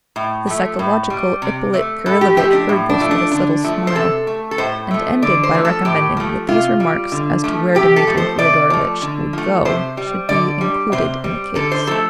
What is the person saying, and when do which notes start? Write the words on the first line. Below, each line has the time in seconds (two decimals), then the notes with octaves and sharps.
The psychological Ippolit Kirillovitch heard this with a subtle smile, and ended by recommending that these remarks as to where Dmitri Fyodorovitch would go should be "included in the case."
0.16 A2
0.47 F3 A3
0.79 A2
1.10 G3
1.42 C3
1.74 A3
2.06 A2 A4
2.21 G4
2.37 F3 A3 G4
2.53 D4
2.69 A2
2.89 D4
3.00 F3 A3
3.11 D4
3.32 D3 D4
3.65 F3 A3
3.87 C5
3.95 C3 A4
4.27 A3
4.51 A4
4.58 A2 C5
4.91 F3 A3
5.22 D3 D5
5.43 C5
5.53 F3 A3
5.65 A4
5.85 A2 G4
6.17 F3 A3
6.48 C3 F4
6.80 G3
7.12 D3
7.44 F3 A3
7.75 C3 G4
7.96 A4
8.07 F3 A3
8.17 C5
8.39 C3 D5
8.70 F3 A3
9.02 D3
9.33 F3 A3
9.65 C3 C5
9.97 G3
10.29 D3 D5
10.61 G3
10.92 C3 C5
11.24 G3
11.55 D3 A4
11.72 C5
11.87 F3 A3 A4